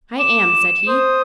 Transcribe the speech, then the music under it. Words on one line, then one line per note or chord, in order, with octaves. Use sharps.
"I am," said he.
D6 E7
C5 D#6